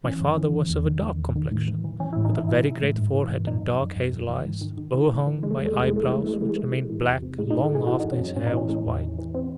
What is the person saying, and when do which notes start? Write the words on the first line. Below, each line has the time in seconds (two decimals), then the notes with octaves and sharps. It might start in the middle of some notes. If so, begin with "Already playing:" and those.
My father was of a dark complexion, with a very great forehead and dark hazel eyes, overhung by eyebrows which remained black long after his hair was white.
0.04 E3 C#4
0.21 F#2
0.37 E3
0.54 D#3
0.70 E2
0.86 D#3
1.02 E2
1.19 E2
1.36 D#3
1.51 A2
1.68 E3
1.84 E3
2.00 E3 C#4
2.13 E4
2.16 A2
2.25 D#4
2.33 E3 E4
2.49 A2 E4
2.65 E3
2.82 A2
2.98 G#2
3.14 E3
3.30 G#2
3.47 F#2 D#4
3.63 F#2
3.80 F#2
3.96 F#2
4.12 F#2
4.29 E3
4.45 G#2
4.61 D#3
4.77 D#3
4.94 E3
5.10 A2
5.27 E3
5.43 D#3 G#3
5.51 A3
5.58 E2 G#3
5.65 A3
5.73 E2 G#3
5.81 A3
5.88 G#3
5.91 E3 A3
6.03 G#3
6.08 E3 A3
6.18 G#3
6.25 E3 A3
6.33 G#3
6.41 E3 A3
6.49 G#3
6.56 E3 A3
6.64 G#3
6.73 E3
6.90 E3
7.06 E2
7.22 C3
7.38 A2 G#3
7.51 D#4
7.55 E3
7.63 A4
7.72 A2 G#4
7.87 E3 F#4
8.00 D#4
8.04 F#2
8.12 C#4
8.20 F#2
8.36 A2 C#4
8.47 D#4
8.53 E3 C#4
8.69 A2
8.86 E2
9.01 E3
9.18 E3
9.35 C4